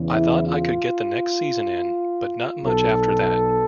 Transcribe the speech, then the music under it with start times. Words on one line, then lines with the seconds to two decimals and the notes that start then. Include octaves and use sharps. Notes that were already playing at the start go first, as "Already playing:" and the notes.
I thought I could get the next season in, but not much after that.
Already playing: E2 C#3 E3
0.10 E4
0.46 F4
2.63 B1 B2 A4